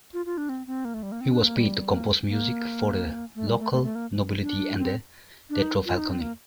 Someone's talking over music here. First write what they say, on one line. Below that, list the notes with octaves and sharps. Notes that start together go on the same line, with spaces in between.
He was paid to compose music for the local nobility and the Teatro Falconi.
F4
F4
D4
C4
C4
A#3
A3
G3
A#3
C4
D4
A#3
G3
A#3
A#3
A3
G3
A3
A3
A3
A#3
D4
C4
D4
D#4
F4
D#4
C4
A#3